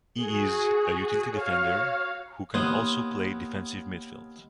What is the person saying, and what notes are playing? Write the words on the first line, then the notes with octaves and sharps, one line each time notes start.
He is a utility defender who can also play defensive midfield.
F#4 G#4
F#4 C#5 F5
D#2 B3 C#5 F#5 C6 D#6